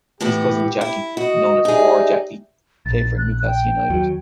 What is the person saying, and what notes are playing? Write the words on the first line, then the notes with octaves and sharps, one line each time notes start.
His cousin Jackie, known as Wor Jackie, played for Newcastle United.
A2 E3 B3 G4
E4
F#4 D#5
D#4 G4 G#4 D5 E5
A#1 A6
F#6
G5
D#2 F#3